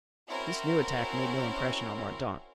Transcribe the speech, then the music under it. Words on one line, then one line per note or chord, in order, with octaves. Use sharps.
This new attack made no impression on Mordaunt.
C4 C#4 E4 F#4 A#4